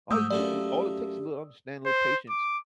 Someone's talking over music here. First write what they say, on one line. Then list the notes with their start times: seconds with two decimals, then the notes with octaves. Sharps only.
all it took a all it takes a little understanding, a little patience,
0.11 G#2 G#3 A3 D#6 E6
0.30 F#2 A3 A#3 G4 D5
1.86 C5
2.30 D6